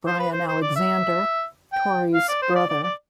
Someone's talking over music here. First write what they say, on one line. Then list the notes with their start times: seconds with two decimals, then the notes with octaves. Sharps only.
Brian Alexander - Tory's brother.
0.06 C5
0.19 B4
0.32 C5
0.48 C5
0.62 D5
0.76 E5
1.73 G5
2.14 F5
2.28 D5
2.42 C5
2.55 D5
2.69 D5
2.83 D5